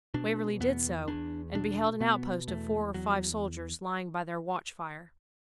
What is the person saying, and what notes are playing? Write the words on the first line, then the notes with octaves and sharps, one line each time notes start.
Waverley did so, and beheld an outpost of four or five soldiers lying by their watch-fire.
B2 D4
E2 B3
E2 D4
B2 D4
B2 B3
E2 A3
E2 F#3